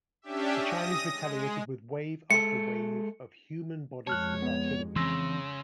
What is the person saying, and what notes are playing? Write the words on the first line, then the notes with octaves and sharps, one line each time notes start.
The Chinese retaliated with wave after wave of human bodies and artillery.
C#4 D4 G4 E5
D#6 A#6
G#3
G#3 A4 C#7
F2 G#3 C#5 A5 F6 F#6
B3
C#3 E3 C4 C6 E6 A#6